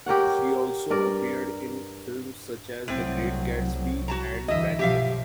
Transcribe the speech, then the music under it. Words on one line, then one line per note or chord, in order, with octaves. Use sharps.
She also appeared in films, such as "The Great Gatsby" and "Brannigan".
G4 A#4 C#5 F#5
G2 A#4 D5
C2 A2 F#3 C4
F#4 A5 A#5
D2 G2 E3 D#5 E5
B1 F3 F#3 G4 E5 F5